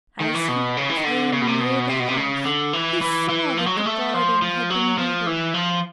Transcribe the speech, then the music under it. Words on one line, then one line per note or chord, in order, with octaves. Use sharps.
As he came near the house, he saw that the garden had been weeded.
D#3
E3
B2
C#3
E3
D#3
D3
C#3
B2
C3
B2
C3
B2
C3
C#3
D3
E3
E3
E3
F3
F#3
G#3
A3
F3
F3
F#3
F3
E3
F3